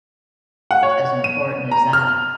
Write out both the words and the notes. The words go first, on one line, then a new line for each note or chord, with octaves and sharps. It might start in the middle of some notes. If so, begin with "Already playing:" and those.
as important as that.
F#5
C#5
D#7
A#5
F6